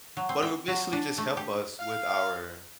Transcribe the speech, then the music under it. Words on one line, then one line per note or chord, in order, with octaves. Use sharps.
But it would basically just help us with our
F#3
C4
G5
F#3
D4
A3
G4
F5